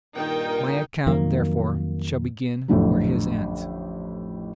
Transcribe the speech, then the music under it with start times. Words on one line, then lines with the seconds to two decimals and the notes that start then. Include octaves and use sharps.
My account, therefore, shall begin where his ends.
0.16 G2 A#2 D#3 D#4 A#4 G5
1.06 F2 D#3 F#3 A#3
2.68 A1 F2 A2 D3 F#3